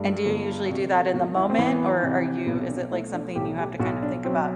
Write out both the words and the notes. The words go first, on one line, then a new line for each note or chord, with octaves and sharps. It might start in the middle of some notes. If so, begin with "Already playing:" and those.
And do you usually do that in the moment or are you is it like something you have to kind of think about?
Already playing: G2 A3
G1
C3 F#4
A4
E1 F#4
E4
C4
E3 B3
C3
B1 B3
D4
A3 E4
D4
B1 G4
G4
B1 F#4
D4
F#3 C4